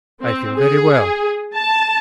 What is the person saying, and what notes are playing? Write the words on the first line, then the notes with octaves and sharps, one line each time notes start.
"I feel very well."
C4
G#4
A5